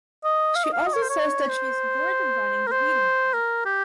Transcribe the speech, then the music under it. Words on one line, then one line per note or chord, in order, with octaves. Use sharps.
She also says that she is bored of running the reading room.
D#5
F5
D#5
F5
D#5
C#5
C5
C#5
C5
A#4
C5
A#4
G4